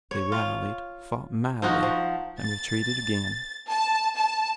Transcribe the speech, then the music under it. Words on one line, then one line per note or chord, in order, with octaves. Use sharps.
They rallied, fought madly, and retreated again.
C#5
F4
F3 D#4 F#4
F3
A6
A5
A5